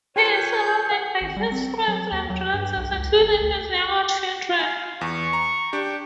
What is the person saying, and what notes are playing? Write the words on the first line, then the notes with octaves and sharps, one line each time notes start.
He is surrounded by his friends and relatives, including his younger children.
F4 A#4 B4 C#5 G5 C6
G6
F#5
G#1
G3
C4
F#3
D#2
F#3
G2
B1
C#2
G1
D2
F5 G#5
E2 C#6
A#5
D4 G4 G5